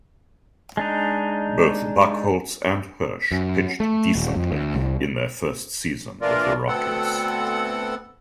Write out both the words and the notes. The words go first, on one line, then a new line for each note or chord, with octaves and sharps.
Both Buchholz and Hirsh pitched decently in their first season with the Rockies.
G#3 D4 D#4
F#2
A3
D#1
F2
D2
C2
A#2 E3 D4 F4 A#4 D5
D2 B3 C4 A4 F#5